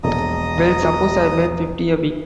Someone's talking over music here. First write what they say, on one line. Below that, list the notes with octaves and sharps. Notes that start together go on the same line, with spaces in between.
Well, suppose I made fifty a week.
E1 A#1 A4 D#5 A#5 D#6